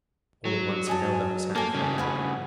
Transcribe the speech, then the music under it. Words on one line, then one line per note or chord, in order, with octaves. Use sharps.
All at once he held up his hand for a halt.
F#3
D#5 G#5 A5
A#3 A4 G#5
G2 C#3
B4 F#5 G#5